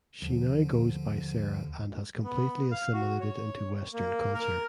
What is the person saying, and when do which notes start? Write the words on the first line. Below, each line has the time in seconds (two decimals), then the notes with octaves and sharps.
She now goes by Sarah and has completely assimilated into Western culture.
0.22 D#2 D3 F3
2.24 B3
2.71 F5
2.93 F#4
3.20 C#5
3.93 A#3
4.34 A#4